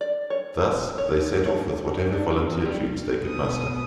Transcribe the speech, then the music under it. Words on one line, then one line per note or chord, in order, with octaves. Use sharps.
Thus, they set off with whatever volunteer troops they could muster.
D5
C#5
C#5
C#5
D4
F4
G3
B2 D#6